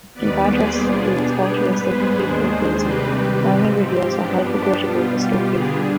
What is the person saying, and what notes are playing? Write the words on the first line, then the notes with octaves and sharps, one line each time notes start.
In contrast to its altruistic utopianism, Manley reveals a hypocritical dystopia.
D#2 D#3 G3 B3 B4 D5
G#4 C5
B2 B3 D4 F4 G#4
G4
G#2 G3 B3 G4 B4
G#4 C5
D#2 D#3 G#3 D4 G#4 C5
C3 D#3 G3 C4 G4 B4
G#2 F3 C4
G4
G2 F3 B3 D4 G4
G4
B2 G3 B3 F4
G4
D3 G3 D4 F4 G#4